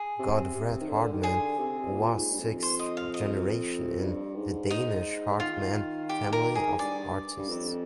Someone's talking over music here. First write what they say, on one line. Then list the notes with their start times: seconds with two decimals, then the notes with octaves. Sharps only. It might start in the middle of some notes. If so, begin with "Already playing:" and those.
Godfred Hartmann was sixth generation in the Danish Hartmann family of artists.
Already playing: G#4
0.19 C3
0.54 C3
0.81 D#3
0.89 D3
1.13 D#3
1.23 D3 G#4
1.58 C3
1.93 A#2
2.15 G#2
2.32 G2
2.39 F2
2.63 C5
2.79 D#5
2.97 F5
3.14 D#5
4.01 G2
4.35 G#2
4.70 D#4
5.40 D#3 F4
6.09 G4
6.33 A#4
6.55 G#4
6.69 G#2
6.79 G2 D5
7.38 G2
7.48 F2